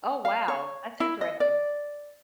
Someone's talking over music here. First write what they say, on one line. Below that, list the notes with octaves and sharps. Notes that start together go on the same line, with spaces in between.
Oh, wow, that's interesting.
F5
C#5
E4
D#5
D5